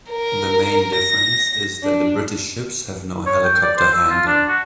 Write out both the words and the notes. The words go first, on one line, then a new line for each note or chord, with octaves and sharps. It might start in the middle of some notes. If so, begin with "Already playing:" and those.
The main difference is that the British ships have no helicopter hangar.
A#4
A#6
D4
C#5
G5
D5
C5
E6
F4
D4
F#4